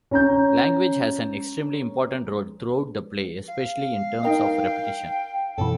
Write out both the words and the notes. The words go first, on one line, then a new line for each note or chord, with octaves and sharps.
Language has an extremely important role throughout the play, especially in terms of repetition.
C#4 A#5 G6
F5
D#4 A#4 D#5 G5
F#2 B2 E3 A4